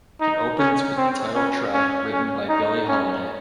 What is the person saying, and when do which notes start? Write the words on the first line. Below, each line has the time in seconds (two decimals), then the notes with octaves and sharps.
It opens with the title track written by Billie Holiday.
0.20 D#4
0.59 C#4
0.97 C4
1.35 C#4
1.74 C#4
2.12 C#4
2.49 D#4
2.88 C#4